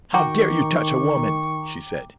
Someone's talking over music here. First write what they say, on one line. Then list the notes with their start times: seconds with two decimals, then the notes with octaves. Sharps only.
"How dare you touch a woman?" she said.
0.14 D#3 F#4 G5 A#5 C#6 D6